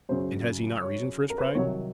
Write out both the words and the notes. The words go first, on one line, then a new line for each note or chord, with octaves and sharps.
And has he not reason for his pride?
F#2 C#3 F#3 C5
C#5
A#4
B4
C5
C2 C3 D#3 F#3 C#5